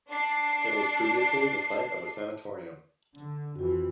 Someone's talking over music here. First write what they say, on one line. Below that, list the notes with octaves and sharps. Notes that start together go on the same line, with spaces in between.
It was previously the site of a sanatorium.
D4 C7
D3
F2 E3 F4 F#4